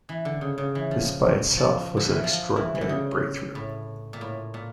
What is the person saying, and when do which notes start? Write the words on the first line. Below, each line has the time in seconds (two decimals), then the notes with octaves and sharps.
This by itself was an extraordinary breakthrough.
0.09 E3
0.25 D3
0.41 C#3
0.58 C#3
0.75 E3
0.91 F3
1.57 F3
1.97 D3
2.10 E3
2.24 F3
2.56 E3
2.75 E3
2.81 D3
2.89 C#3
3.55 A2
4.13 A#2
4.21 A2
4.54 A#2